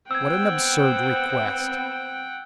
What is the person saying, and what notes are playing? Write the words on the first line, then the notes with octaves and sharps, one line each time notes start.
What an absurd request!
B3 C4 F#5 G5 E6 G#6